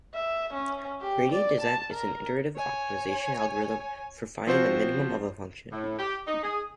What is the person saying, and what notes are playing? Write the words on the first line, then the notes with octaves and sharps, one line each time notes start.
Gradient descent is a iterative optimization algorithm for finding the minimum of a function.
E5
C#4
G4
D5
A5
A#4
C#5 G#5
F3 C4 F4 F#4 C5
A2
G4
D#4
G#4